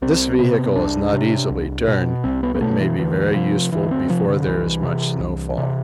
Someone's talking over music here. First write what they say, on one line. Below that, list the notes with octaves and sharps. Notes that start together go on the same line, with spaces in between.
This vehicle is not easily turned, but may be very useful before there is much snowfall.
C2 C4
C3 B3
C2 D4
C3
C2
B2
C2 C4
B3
B3
B2 A3
E3
D2 E3
C3 F3
D2 E3
C4
C3 F3
D3
C2 E3
C3
C2
C3